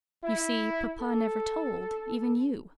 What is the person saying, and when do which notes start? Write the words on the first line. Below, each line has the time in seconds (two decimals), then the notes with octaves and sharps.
You see, papa never told, even you.
0.24 E4
1.01 A4